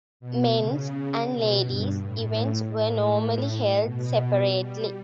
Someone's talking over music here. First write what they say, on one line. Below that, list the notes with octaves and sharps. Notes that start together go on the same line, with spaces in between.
Men's and Ladies events were normally held separately.
B2
C#3
B2
G2
A2
A2
B2
G3